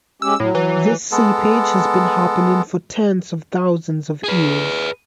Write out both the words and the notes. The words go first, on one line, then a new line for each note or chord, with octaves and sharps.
This seepage has been happening for tens of thousands of years.
G#3 C#4 G4 E6
A2 F#3
E3
G#3 B3 A4
G#4 B4